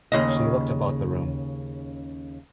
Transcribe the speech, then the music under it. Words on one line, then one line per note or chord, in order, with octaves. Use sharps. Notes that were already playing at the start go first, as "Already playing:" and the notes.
She looked about the room.
D#2 C#3 D#5